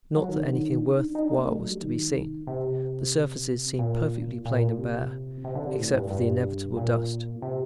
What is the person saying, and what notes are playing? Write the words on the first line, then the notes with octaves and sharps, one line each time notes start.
Not that anything worth while was to be seen; the surfaces seemed perfectly plain and bare, except for the inevitable dust.
F#3
D#3
D3
D#3
D4
D#4
D4
D#4
D4
A#3
A3
F#3
G3
D#3
C3
A#2
A#2
C3
C3
D3
C3
A2
G2
G2
A#2
C3